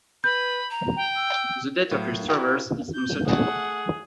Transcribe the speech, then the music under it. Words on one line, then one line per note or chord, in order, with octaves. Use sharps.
The date of his travels is uncertain.
B4 B5 G6
A#5
G5
E6
A2 F#3
E4 F#4 A#4 G5
G6
A3 G#4 F#5